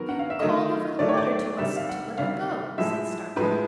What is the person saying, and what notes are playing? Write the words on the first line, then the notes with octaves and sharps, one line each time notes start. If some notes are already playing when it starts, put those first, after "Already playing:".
"You called over the water to us to let her go," said Starkey.
Already playing: D#3 F#3 B3 A#4
F#5
F5
E5
D#3 F#3 A3 D#5
D#3 F#3 A3 D5
C#5
D5
C3 D#3 G3 E5
F5
F#5
C3 D#3 G3 F5
A2 F3 G#3 E5
A2 F3 G#3 B4